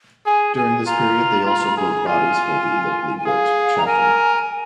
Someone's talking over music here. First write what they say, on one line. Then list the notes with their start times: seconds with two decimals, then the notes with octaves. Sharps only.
During this period, they also built bodies for the locally built Chatham.
0.25 G#4 G#5
0.56 G#4 G#5
0.86 F4 A#5
1.46 F4
1.77 G#4
2.06 F4 G#5
3.18 G#5
3.26 G#4 F5
3.77 A#5
3.86 A#4 G#5